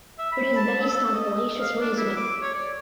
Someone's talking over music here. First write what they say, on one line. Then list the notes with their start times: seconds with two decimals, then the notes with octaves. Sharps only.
It is based on fallacious reasoning.
0.18 E5
0.32 B5
0.56 A5
0.81 A4
1.14 D#5
1.60 F5
1.81 D4
1.97 E4
2.16 D6
2.41 C#5
2.54 D5